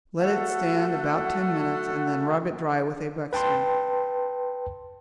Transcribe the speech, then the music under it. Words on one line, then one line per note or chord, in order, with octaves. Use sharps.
Let it stand about ten minutes, and then rub it dry with a buckskin.
A3 F#4 A4 F#5
B4 G5 A5 C6